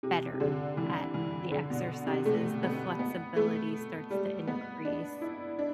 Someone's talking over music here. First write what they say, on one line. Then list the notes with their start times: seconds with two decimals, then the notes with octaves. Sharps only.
better at the exercises, the flexibility starts to increase,
0.03 C3
0.34 C3
0.40 D3
0.77 E3
1.14 E3
1.51 D3
1.70 B2
2.07 C3
2.25 A3
2.63 B3
2.99 B3
3.36 A3
4.10 G3
4.47 B3
4.85 D4
5.21 E4
5.59 D4